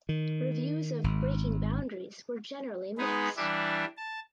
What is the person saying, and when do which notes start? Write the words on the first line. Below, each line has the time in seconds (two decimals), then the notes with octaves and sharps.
Reviews of "Breaking Boundaries" were generally mixed.
0.09 D#3
1.04 G#1
2.98 G#3 B3 D#4 G#4 B4
3.37 E3 G3 D4 E4
3.97 A5